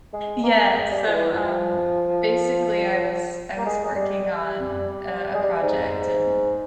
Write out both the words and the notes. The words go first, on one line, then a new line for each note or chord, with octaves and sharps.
yes, so, um, basically, I was I was working on, uh, a project, and
G#3
A#3
G#3
G3
F3
E3
F3
A#3
G#3
G#3
G3
G3
G#3
G3
G#2
G#2